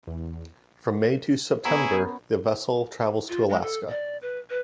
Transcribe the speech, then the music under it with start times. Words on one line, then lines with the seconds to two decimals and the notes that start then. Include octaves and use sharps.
From May to September, the vessel travels to Alaska.
0.07 E2
1.65 B3 C#4 E4 G#4 A#5
3.29 F4
3.49 G#3
3.62 A4
3.89 D5
4.22 B4
4.50 B4